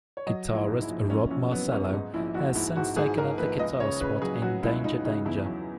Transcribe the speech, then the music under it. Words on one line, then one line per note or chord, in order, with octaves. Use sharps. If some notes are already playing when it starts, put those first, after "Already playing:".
Guitarist Rob Marcello has since taken up the guitar spot in Danger Danger.
C#5
F#3 D#5
A#1
E4
G#2
E4
A#1
A#1 C#4
A#1 C#4
F#3 B3
G#2 C#4
G#2 D#4
A#1 E4
A#1 F#4
G#2 E4
G#2 F#4
G#2 G#4
G#2 A#4
A#1 B4
C#2 D#5
C#3 C#5
C#3 B4
F#3 G#4
F#3 F#4
C#2 E4
E4
C#2 D#4
C#3 D#4
E2 E4
F#3